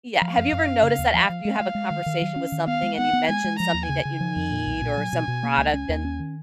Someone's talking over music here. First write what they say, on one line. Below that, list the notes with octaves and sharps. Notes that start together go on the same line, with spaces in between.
yeah, have you ever noticed that after you have a conversation with something and you mention something that you need or some product and
F3 F5
F#2
F#2
C#4
C#3
D#2
F3
F3
G#3 F5
G#3
G#3
D#3
D#3
F#3
C#4
D#3
B3 F5
G#3
B3 F#5
B3
G#3 G#5
G#3
F3 A#5
D#2
C#3 G#5
C#3
F3
F2
A#2
B1
A#2
F#3
B2
B2
A#3
C#2
C#4
D#2
C#4
D#3